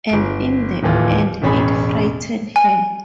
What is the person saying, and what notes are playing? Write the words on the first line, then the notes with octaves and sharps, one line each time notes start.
And in the end it frightened her.
G1 D7
D1 D#2 E3 F4
E1 A1 C#4 G#4 B5
G#5